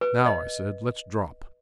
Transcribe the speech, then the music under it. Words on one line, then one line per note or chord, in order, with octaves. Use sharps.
"Now," I said, "let's drop."
B4
D#5